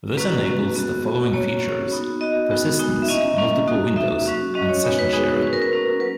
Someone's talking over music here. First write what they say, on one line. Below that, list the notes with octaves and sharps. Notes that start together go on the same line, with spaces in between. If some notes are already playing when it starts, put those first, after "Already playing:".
This enables the following features: persistence, multiple windows, and session sharing.
A#3 C#4 F#4 B4
A#3 C#4 F#4
B3 F#4
B3 F#4
A#3 C#4 F#4 C#5
A#3 C#4 F#4
B3 D#4 F#4
B3 D#4 F#4 D#5
G#3 B3 D#4 F#4
G#3 B3 D#4 F#4
E5
A#3 C#4 E4 D#5
A#3 C#4 E4
A#3 D#4 F#4
A#3 D#4 F#4 E5
F#3 C#4 F#4
F#3 C#4 F#4 D#5
C#5
G#3 B3 D#4 F#4 C#5
B4
G#3 B3 D#4 F#4 G#4
A#3 C#4 F#4 B4
A#4
B4
A#3 C#4 F#4
F#3 B4